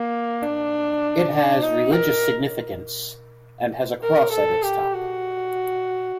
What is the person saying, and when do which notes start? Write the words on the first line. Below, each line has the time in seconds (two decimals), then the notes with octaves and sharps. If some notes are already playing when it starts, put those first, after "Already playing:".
It has religious significance, and has a cross at its top.
Already playing: A#3
0.43 D4
1.62 D#4
1.92 A#4
4.03 A#4
4.33 A4
4.63 G4
4.93 F#4